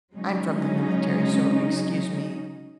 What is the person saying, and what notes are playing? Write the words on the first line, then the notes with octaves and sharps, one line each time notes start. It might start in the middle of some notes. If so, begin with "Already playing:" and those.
I'm from the military, so excuse me,
C#3 F#3 G#3 C#4 D#4